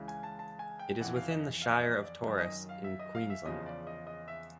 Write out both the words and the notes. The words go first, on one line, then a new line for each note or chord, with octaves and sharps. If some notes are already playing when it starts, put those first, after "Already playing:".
It is within the Shire of Torres in Queensland.
Already playing: C#2 C#3 E3
G#5
A5
A5
G#5
G5
F2 C#3 E3 F#5
F5
D#5
F5
D#5
D5
D#3
F#2
D#5
F5
E5
D#5
F5
E5
E2 C#3 F3 D#5
D5
D#5
D#5
E5